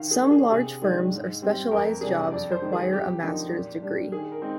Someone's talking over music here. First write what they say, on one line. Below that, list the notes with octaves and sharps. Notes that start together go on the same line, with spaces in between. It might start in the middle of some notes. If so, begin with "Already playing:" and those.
Some large firms or specialized jobs require a master's degree.
Already playing: D#3 F5
G#4
A#3 D4
G#4
C3 G#4
D#3 G#3 D4
G#2
G3 C4
F2 A#4
C3 G3 D4 G#4
F2 D5
C5
D#3 G#3 D#4
G#4
F2 G4
D3 F3 A#3 D#4
A#2
G3 D4
D#3 G#4
A#4
G#3 C4 D#4